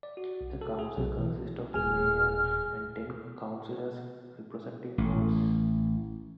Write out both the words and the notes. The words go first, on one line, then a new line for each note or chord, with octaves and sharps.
The council consists of the mayor and ten councillors representing wards.
D5
F#4
B1
A4
G#4
B1
E3
D#1 G#4 G#5 F6
A1